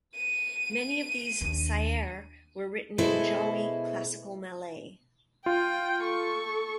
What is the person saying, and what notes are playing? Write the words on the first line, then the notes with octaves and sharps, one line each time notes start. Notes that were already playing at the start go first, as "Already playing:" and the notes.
Many of these "syair" were written in Jawi classical Malay.
D#7
D#2 D4
B2 G#3 E4 A4 C5
F4 G5
A4 C#6